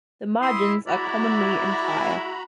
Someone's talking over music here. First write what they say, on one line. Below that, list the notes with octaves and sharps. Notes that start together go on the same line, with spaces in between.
The margins are commonly entire.
E4 C6 D#6
G#3 E4 F#4 D5 A#5 B5